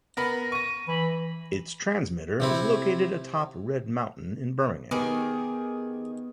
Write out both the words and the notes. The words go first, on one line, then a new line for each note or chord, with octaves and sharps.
Its transmitter is located atop Red Mountain in Birmingham.
B3 A#4 B5 A#6
C#6 A#6 D#7
E3 B5
C3 C4 E4
D#3 B3 G4 G#4